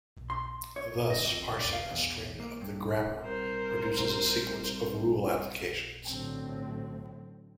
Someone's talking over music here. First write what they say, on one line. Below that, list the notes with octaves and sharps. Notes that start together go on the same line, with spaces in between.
Thus, parsing a string of the grammar produces a sequence of rule applications.
C6
C#5
D#5
F2
D5
F5
E2
A#3
G2
C2 A#4 C5
A1 A2 D3 F#3 A3 C4